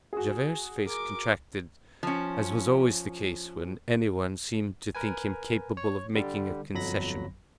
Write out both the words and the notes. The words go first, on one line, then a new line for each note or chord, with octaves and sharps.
Javert's face contracted as was always the case when any one seemed to think him capable of making a concession.
F#4 G#4
A#4 D6
F3 C#4
A#4 B4 G#5
C#5
D3 G3
G1 F2 F#3 B5 A#6